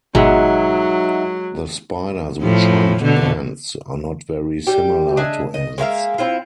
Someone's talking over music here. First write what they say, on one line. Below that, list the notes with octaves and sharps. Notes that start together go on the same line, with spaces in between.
The spiders which hunt ants are not very similar to ants.
G#1 B2 F#3 G#3 D#4 F#4 E5 F#5
A2 F3
B2 D3
G3 G4
D4 G#4 D#5 E5
D#5
G#3 A#3 E5 F5
C4 E4 F4